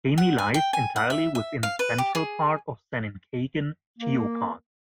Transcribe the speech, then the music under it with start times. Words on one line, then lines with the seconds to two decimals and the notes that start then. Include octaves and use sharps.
Kami lies entirely within the central part of San'in Kaigan Geopark.
0.18 F#5
0.38 G#5
0.54 G5
0.73 G#5
0.96 F#5
1.10 E5
1.35 E5
1.63 F5
1.79 B4
1.98 G4
2.15 G#4
3.99 A#3